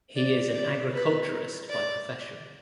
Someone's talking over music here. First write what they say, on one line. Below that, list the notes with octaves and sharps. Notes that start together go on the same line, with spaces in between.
He is an Agriculturist by profession.
D5
D5
B4
D5